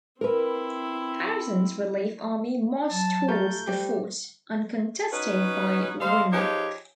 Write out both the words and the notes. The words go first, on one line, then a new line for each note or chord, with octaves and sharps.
Harrison's relief army marched towards the fort, uncontested by Winamac.
C4 E4 A#4 B4
F#3 A5
A3 F4 G4 A#5 G6 A6
G3 G4 C5
C#4 D#4 F#4 B4
A4 C5 D#5 F5
F3 D#4 G4 G#4 B4 C#5